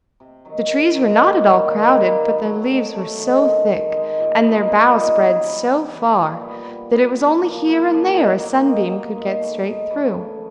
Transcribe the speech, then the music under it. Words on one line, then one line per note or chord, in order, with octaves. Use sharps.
The trees were not at all crowded, but their leaves were so thick, and their boughs spread so far, that it was only here and there a sunbeam could get straight through.
C3
D#3 F#3
C3
D#3 F#3
D#3
G3 A#3
D#3
G3 A#3
B2
F#3 A3
B2
F#3 A3
D#3
G#3 C4
D#3
G#3 C4
A#2
G3 C4 D#4
A#2
G3 C4 D#4
C#3
E3 G3
C#3
E3 G3
A#2
G3 B3
A#2
G3 B3
F#2
C#3 F3 A#3
F#2
C#3 F3 A#3
B2
F#3 A#3
B2
F#3 A#3
G#2
E3 A3
G#2
E3 A3
C#3